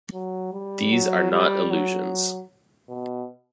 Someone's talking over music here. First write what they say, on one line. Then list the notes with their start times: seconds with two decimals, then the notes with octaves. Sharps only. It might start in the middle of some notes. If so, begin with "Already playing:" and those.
These are not illusions.
0.14 F#3
0.53 G3
0.92 F#3
1.32 G3
1.71 F#3
2.89 B2